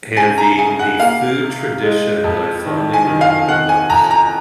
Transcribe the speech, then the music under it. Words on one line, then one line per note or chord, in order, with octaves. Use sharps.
and the the food tradition that I fondly remember the most
C#3 G#5
A#5
C#3 G#5
F#5
A#3 F5
C3
G#3
F2
D#3
G#5
D#3
F5
D#3 F#5
G#5
F2 A#5
A#5